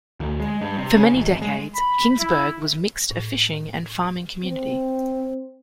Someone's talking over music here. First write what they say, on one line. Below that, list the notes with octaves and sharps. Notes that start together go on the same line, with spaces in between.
For many decades Kingsburg was mixed a fishing and farming community.
D2
G#3
G2
C3
C#3
G#1
G#3
B5
E4
A2
C4